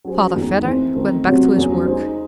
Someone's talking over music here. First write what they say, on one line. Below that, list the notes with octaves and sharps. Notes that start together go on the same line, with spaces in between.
Father Vedder went back to his work.
F#3 C#4 G#4 C5
E2 D#3 G#3 D#4
E3 C4 E4 C5
D#3 A3 C4
C3 F#3 C4 F#4 C#5
E2 C#3 F#3 C#4 G#4
G#3 D#4 G#4 C5